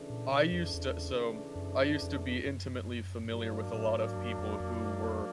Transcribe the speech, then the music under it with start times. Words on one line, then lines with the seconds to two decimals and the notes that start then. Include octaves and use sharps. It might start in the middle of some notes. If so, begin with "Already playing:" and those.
I used to so, I used to be intimately familiar with a lot of people who were,
Already playing: C#3 E3 A3 D4
0.10 A#2
0.32 B2
0.52 F2
0.74 E2
1.55 F2
1.59 F#2
2.02 F2
2.46 F#2
3.25 G#2
3.31 G2 F#3 A#3 D4
3.73 A2
3.81 G#2
3.88 G2
3.96 G#2
4.17 F#2
4.39 F2
4.60 F2
4.81 F#2
5.03 F2